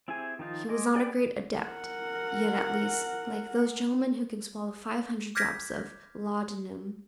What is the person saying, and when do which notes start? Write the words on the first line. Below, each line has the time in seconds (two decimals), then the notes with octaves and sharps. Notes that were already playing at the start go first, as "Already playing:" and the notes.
He was not a great adept--yet, at least--like those gentlemen who can swallow five hundred drops of laudanum at a sitting.
0.08 C4 E4 G4 G#4 G#5
0.39 D#3 F3 D#4 F4
0.69 G#4 D#5 C6 D6
0.95 G#4 D5 G5 B5 D6
1.57 A#4 F#5
5.35 D6 F6 G6 G#6 A#6 B6